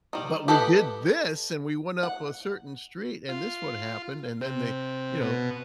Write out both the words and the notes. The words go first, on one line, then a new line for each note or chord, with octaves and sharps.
"But we did this, and we went up a certain street, and this would happen," and then they, you know
D#3 G3
G4 A4 B4 D#5 B5
F#5
F4
C3
B2